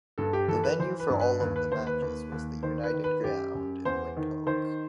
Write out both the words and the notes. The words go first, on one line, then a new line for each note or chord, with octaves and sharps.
The venue for all of the matches was the United Ground in Windhoek.
G2 A4
G4
E3 A4
B4
E3 C5
B4
G2
B4
D#2 B4
B4
D#2 C5
B4
D#2
D#2
D#3 C5
B4
D#3
B4
F#2 G4
F#2
E2 C5
D#3
D#3 C5